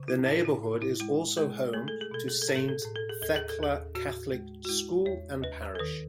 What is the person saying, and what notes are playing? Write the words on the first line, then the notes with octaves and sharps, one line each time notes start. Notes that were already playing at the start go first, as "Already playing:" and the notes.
The neighborhood is also home to Saint Thecla Catholic School and Parish.
Already playing: C#3
E4
A2 E4
E4
A2
E4
G#3 E4
G#3 G#4
A3 G#4
A4
G#4
B2 A4
G#4
A4
A2
G#4
A4
A2 G#4
A4
G#4
D#2 A4
G#4
A4
D#2 G#4
A2 F#4
G#3
F#4
G#3 E4
E2 C#5
D#2 B4
A4
D#3 B4